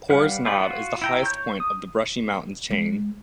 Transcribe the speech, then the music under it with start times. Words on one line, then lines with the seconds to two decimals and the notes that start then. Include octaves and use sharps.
Pores Knob is the highest point of the Brushy Mountains chain.
0.10 G3 B4 F5 F#5 F6
0.45 F4 G4 B4 D5
0.59 F4 F#4
1.02 E4 G5 A#5
1.23 C#5 G6
1.60 D#6
2.71 G#3